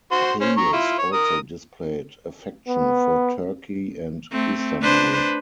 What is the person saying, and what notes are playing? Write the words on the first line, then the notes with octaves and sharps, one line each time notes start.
Hayes also displayed affection for Turkey and Istanbul.
F#4 C5 C6
C#4 C5
A#5 C#6
E4 F4
C#5
A#4 D#6
B3
A3 C4
D4 B4 C5